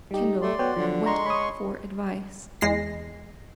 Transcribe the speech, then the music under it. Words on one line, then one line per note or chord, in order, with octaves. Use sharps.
Kendall went for advice.
G3 D#4 G4
A3 D5 C6
B3 F#4 C#5 G5
D3 F3 F#3
G#3 A#5 C6 C#6
C#5 B5 D#6
E2 G#3 A#6 C7